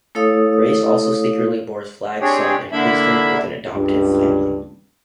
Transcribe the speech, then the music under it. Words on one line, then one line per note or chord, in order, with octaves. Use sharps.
Grace also secretly bore Flag's son and placed him with an adoptive family.
A3 E4 A4 C#5 F5 D#6
C4 D4 G4 G#4 C#5
D3 A#3 D4 E4 E5 B5
C#2 G2